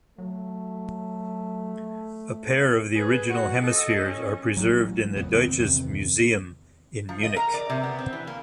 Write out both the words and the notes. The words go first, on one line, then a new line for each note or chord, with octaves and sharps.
A pair of the original hemispheres are preserved in the Deutsches Museum in Munich.
F#3 A3
G#4 B4
F#4
A4 D#5
C#4
A1 F#3
F2 A#2 G3 B3
C#2 D#3 B3 C4
E2 C3 D#3
F3
D#5
A#4
D5
C3
B3
C4
E3
A#3